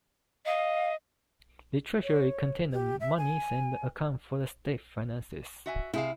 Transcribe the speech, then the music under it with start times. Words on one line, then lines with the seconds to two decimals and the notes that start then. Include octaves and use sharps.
The treasury contained the monies and accounts of the state finances.
0.45 D#5 F5
2.03 C#5
2.72 G4
3.00 E5
3.17 G#5
5.66 F#4 E5 G#5
5.93 C3 E4 G#4 F5